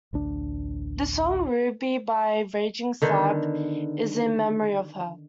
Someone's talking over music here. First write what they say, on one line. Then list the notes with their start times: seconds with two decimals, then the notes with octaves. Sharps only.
The song "Ruby", by Raging Slab, is in memory of her.
0.13 A1 D2 D4
3.02 D3 D#3 B3